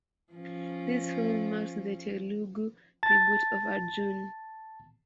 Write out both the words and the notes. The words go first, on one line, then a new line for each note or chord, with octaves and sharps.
This film marked the Telugu debut of Arjun.
F3 C#4
A5 A6